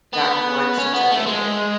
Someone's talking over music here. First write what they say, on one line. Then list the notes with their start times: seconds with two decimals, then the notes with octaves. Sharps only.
gotten one since I've been there.
0.14 B3
0.79 C#4
0.94 B3
1.11 A3
1.26 G#3